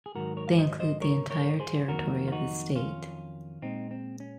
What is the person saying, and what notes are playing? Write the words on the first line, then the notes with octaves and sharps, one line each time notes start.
They include the entire territory of the state.
G#4
G#2 D#3 F#3 F#4 A#4
A#4 C#5
F5
C5 D#5
C5 D#5
A#4 C#5
A#4 C#5
G#4 C5
F2 D#3 F#3 A#3 F#4 A#4
F4
D#4 F#4
C#4 F4
A#2 G#3 C4 D#4
C4
C#4